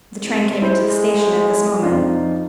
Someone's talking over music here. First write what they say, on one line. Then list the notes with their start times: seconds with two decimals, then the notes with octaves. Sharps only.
The train came into the station at this moment.
0.22 C2 G#3
0.62 A2 G#3 E4 C5
1.83 F2 F3 D4 D#4 F4